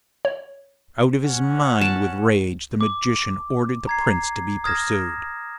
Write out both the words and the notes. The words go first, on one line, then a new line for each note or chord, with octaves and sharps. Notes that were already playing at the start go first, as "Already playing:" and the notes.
Out of his mind with rage, the Magician ordered the Prince to be pursued.
C#5
C#4 F#5
A5
D6
A#5 G#6 C7
D#6 F6 G#6 A#6 E7